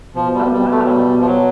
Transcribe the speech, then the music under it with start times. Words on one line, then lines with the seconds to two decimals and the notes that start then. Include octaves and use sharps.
Oh, wow, okay.
0.15 B2 F3
0.34 G3
0.52 G3
0.71 A3
0.85 F#3
0.89 G3
1.21 F3
1.26 F#3